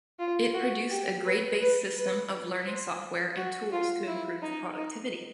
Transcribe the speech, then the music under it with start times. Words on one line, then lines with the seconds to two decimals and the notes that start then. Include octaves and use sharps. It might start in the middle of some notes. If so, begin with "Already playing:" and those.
It produced a grade-based system of learning software and tools to improve productivity.
0.19 F4
0.54 F#4
0.90 G4
1.25 B4
1.60 B4
1.96 B4
2.66 C5
3.36 F#4
3.72 F4
4.07 E4
4.42 D#4
4.78 D#4